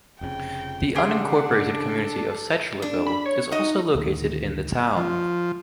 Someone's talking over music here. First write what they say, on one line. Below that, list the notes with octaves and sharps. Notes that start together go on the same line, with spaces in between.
The unincorporated community of Sechlerville is also located in the town.
F1 F2 C#3 G5
C#3 D4 G4 G#4 F#5 C6
A4
D4
B5
C#5
D#4 F#4 D#5
D2 A#2 D#3
F3